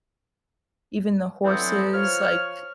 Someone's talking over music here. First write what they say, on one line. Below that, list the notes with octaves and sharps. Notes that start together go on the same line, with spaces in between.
even the horses, like,
D3 E3 F#3 B3 C4
F3 C#5 F6